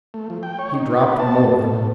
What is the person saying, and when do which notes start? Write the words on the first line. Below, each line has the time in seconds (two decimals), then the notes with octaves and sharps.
He dropped more.
0.14 A3
0.30 F3
0.43 G5
0.59 C#5
0.74 D#4
1.01 B4
1.19 A5
1.44 A3
1.61 A2